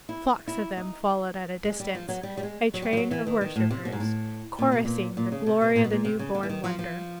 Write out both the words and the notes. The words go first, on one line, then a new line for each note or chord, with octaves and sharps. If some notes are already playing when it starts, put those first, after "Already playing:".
Flocks of them followed at a distance, a train of worshipers, chorusing the glory of the new-born wonder.
E4
E4
D#4
G#3
G3
F3
F#3
G3
G3
G#3
F#3
G3
F3
F#3
E3
D#3
D#3
A2
C3
B2
G#2
A2
A#2
B2
A#2
A#2
C#3
C3
B2
A#2
B2
A#2
C3
C#3
D3
E3
D#3
F3
F3